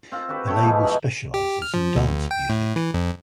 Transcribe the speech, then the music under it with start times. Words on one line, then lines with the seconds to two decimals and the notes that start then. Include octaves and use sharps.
The label specialises in dance music.
0.12 C4 F4
0.28 C4 F#4 G4 B4
0.46 A3 B3 C#5 G5
0.62 E3 F3 G#3 B3
0.83 D#4 E4 F#4 D#5
1.34 G4
1.62 F6
1.74 F3
1.96 D2
2.31 G5
2.49 A2
2.76 E3
2.94 F2